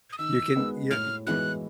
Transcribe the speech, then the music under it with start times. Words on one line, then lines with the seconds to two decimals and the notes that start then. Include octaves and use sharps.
you can, you know y
0.12 D#6
0.18 D#3 E6
0.55 G#3 B3 D#4
0.90 A2 F6
1.27 E3 G#3 B3 E4 F#6